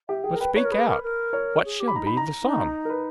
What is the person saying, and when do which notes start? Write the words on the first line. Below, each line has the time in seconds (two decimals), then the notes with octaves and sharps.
But speak out--what shall be the sum?'
0.09 G4 E5
0.24 G#4 G5
0.35 A#4
0.40 B4 G5
0.56 B4 C#5
0.65 A#4
0.71 G#4 B4
0.87 A#4
1.03 A#4
1.33 C#5
1.65 G#4
1.80 G4
1.88 B5
1.96 D#4 A#5
2.07 B5
2.17 A#5
2.42 D#4
2.85 A#4
2.90 B4